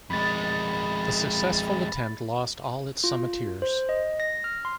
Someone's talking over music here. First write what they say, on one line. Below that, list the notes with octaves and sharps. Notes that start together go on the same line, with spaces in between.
The successful attempt lost all its summitteers.
F2 G#3 B5 A6
F4
C5
D#5
A#6
F6
C6